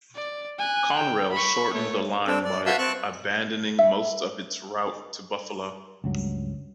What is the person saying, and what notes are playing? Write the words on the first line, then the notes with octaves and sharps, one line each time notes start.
Conrail shortened the line by abandoning most of its route to Buffalo.
D5
G#5 F#6
G5
B5 C#6
A3 C#5
C4 D4 A4
D5
F#4 B4 E5 F5 A5 E6
C4 A5 C#6 F#6
E5
C#2 G2 F#3